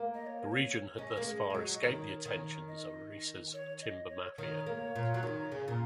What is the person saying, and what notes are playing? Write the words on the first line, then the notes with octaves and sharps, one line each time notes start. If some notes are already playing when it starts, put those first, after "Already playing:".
The region has thus far escaped the attentions of Orissa’s timber mafia.
Already playing: A#3
D#5
C#5
A#4
C#5
C#4 D#5
A#3
G#3
G#3
F#3
D#5
D#3 C#5
D#3
D#5
C#5
D#5
C#5
D#3 C#5
A#3
A#2
F#3
D#3
C#3
A#2